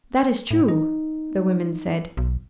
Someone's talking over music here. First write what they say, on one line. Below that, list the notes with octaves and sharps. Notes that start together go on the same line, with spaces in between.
"That is true," the women said.
A2
D#4
B1